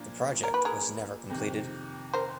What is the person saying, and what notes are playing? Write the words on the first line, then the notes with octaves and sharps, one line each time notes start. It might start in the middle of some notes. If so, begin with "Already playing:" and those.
The project was never completed.
Already playing: A#2 F3 A#3 D4
A#4
B4
G#4 A#4
F2 C3 D#3
A#4 C5